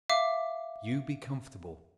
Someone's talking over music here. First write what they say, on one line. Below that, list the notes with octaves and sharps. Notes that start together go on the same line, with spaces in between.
You be comfortable.
E5 F5 D6